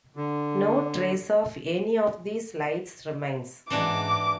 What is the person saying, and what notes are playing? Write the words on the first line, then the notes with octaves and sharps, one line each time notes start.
No trace of any of these lights remains.
D3
G#2 E3 D4 F#4 D6